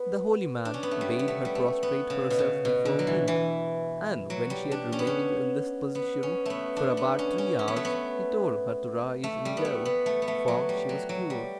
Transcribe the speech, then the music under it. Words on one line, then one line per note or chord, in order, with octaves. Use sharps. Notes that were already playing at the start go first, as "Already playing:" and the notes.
The holy man bade her prostrate herself before him, and when she had remained in this position for about three hours, he told her to rise and go, for she was cured.
Already playing: B3
D4
C#4
B3
A3
G3
B3
A3
G3
A3
B3
C#3
B2
C#3
B2
D3
F#3
E3
E3
F#3
G3
D4
C#4
B3
C#4
B3
C#4
A3 B3
D4
B3
C#4
C#4
C#4
B3
A3
B3
A3
G3
B3
A3
B3
A3
B3
A3
F#3
G3
F#3
F#3
G3